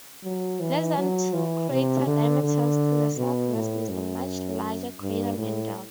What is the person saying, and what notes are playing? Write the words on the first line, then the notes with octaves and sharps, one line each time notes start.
Less than two crater diameters to the southwest is the much larger crater Mendel.
F#3
E3
F#3
E3
C3
D3
D3
B2
A2
F#2
G2
A2